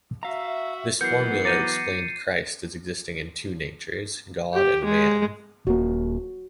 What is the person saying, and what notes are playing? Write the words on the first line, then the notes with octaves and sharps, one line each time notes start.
This formula explained Christ as existing in two natures, God and man.
F#4 E5 F5 A#5
E3 F#3 B3 A#4 G6 C7 C#7
A#5 D6 G6 A6 C#7 D#7
G4
G#3
D#1 A#3 F#4